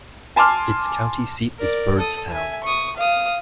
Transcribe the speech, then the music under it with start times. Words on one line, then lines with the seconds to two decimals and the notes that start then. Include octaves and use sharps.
Its county seat is Byrdstown.
0.36 G#5 A5 C6 D6 F6
1.58 A#4 D5
1.98 A4 D#6
2.30 E5 G#5
2.63 C#6 D#6
2.96 F5 D#6